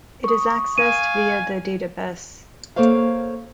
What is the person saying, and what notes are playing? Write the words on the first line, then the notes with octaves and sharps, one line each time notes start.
It is accessed via the data bus.
C#6 D#6
F5 G#5 D#7
A#3 A4 C5 C#5 F5